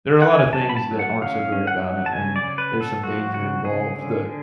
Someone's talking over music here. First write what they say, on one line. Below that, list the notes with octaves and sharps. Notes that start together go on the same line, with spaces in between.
there are a lot of things that aren't so great about it and there's some danger involved, the
F#5
C#4 G#5
A5
F#3
B5
A5
F#3
F#5
C#4 F5
C#4
F#5
F#3
A5
C#3 G#5
D5
C#3
B4
B3
A4
F3 F#4
C#3 F#4
C#3 G#4
D3
D3